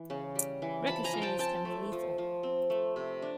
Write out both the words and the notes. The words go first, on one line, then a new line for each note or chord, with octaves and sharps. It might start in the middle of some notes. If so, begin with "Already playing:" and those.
Ricochets can be lethal.
Already playing: E3
C#3
G3
E3
F3 A5 B5
G#5 A#5
F3
G5 A5
C4 G5 A5
A3
F3
F3
C4
A3
C3
D4